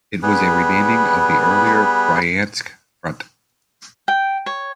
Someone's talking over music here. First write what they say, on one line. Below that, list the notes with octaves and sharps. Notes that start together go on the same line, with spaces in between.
It was a renaming of the earlier Bryansk Front.
G3 B3 G#4 B4
G5
C#5